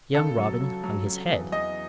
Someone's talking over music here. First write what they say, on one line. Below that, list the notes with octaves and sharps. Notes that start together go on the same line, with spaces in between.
Young Robin hung his head.
C#3 A4
F#3
F#3
F#3
F#3
E2
E2 D#5